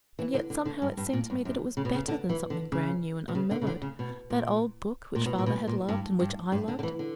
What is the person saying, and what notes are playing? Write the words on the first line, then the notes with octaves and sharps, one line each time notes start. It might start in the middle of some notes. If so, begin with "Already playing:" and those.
And yet somehow it seemed to me that it was better than something brand new and unmellowed--that old book which father had loved and which I loved.
E3
D3
D3
D3
G2
G2
A#2
G2
F#2
C#3
B2
C#3
D3
E3
D3
C#3
B2
C#3
D3
C#3
D3
C#3
B2
A#2
A#2
B2
A#2
B2
A#2
G2
G2
G2
D3
D3
E3
D3